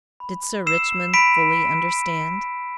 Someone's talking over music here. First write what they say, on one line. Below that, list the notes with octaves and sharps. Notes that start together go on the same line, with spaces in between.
Did Sir Richmond fully understand?
B5
E6 C7 E7
B5 B6 D7